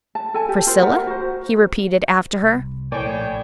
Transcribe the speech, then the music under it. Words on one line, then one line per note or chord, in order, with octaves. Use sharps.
"Priscilla?" he repeated, after her.
A5
A4 G#5 A5
G4
F4 A#4 C5
A#4 E5 F#5 A#5
F#4 C5
C2
A#1 A2 C#5 D5 G5 G#5